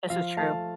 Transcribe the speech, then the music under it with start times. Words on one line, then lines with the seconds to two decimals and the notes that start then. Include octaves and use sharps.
This is true.
0.10 F3 F5
0.37 A3 F5 A5